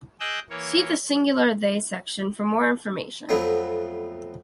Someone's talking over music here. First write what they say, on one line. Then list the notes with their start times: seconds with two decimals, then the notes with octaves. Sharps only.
See the singular they section for more information.
0.20 G#4 D#5 D6 E6 F#6 G6
0.50 E3 A#3 C#5
3.29 F2 F3 F#3 A3 B3